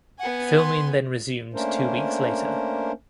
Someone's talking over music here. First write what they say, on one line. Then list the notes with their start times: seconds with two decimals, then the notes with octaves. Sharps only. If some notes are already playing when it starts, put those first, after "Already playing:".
Filming then resumed two weeks later.
0.19 B3 F#5 G#5
0.58 C6
1.54 A3 A#3 C#4 D4 A#4 C5